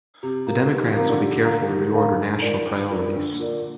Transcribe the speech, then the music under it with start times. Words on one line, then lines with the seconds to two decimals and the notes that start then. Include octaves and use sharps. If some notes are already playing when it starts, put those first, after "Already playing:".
The Democrats would be careful to reorder national priorities.
0.23 C3 G4
0.47 A#4 F5 A#5
0.71 D#3 G4
0.84 F3
0.95 C3 A#4 F5 A#5
1.08 D3
1.20 G4
1.45 A#4 F5 A#5
1.69 D#3 G4
1.93 A#4 F5 A#5
2.18 D4
2.42 F4 A#4 D5
2.66 D4
2.90 F4 A#4 D5
3.15 D3 D4
3.32 A#2
3.39 F4 A#4 D5
3.48 A#2